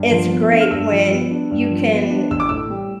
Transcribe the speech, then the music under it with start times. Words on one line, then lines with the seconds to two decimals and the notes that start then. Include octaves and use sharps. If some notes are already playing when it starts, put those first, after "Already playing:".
it's great when you can
Already playing: G2
0.11 F3
0.31 B3
0.51 D4
0.60 F6
0.71 G2 E6
0.91 F3
1.11 B3
1.31 D4
1.51 G2
1.71 F3
1.91 B3
2.10 D4
2.30 A1 E6
2.40 D6
2.49 A2 E6
2.70 G3